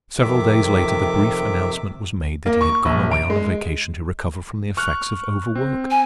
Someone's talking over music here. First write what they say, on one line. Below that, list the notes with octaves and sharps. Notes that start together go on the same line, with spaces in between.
Several days later the brief announcement was made that he had gone away on a vacation to recover from the effects of overwork.
F2 C3 D#3 E5 D6
A#3
C#6
A#1
D7
G#3
C#6 F6 F#6
C4
G#5